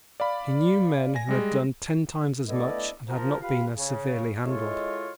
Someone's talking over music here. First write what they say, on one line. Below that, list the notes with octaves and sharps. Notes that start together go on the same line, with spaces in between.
He knew men who had done ten times as much and had not been as severely handled.
D5 F5 B5
G#5 A#6
G3 G#3 G#4
A3 B3 D4 E4 D5 D#5
F3 A#4
F4 G4 B4 F5
C#3
G#3 E4 F4 A4 C#5 D#5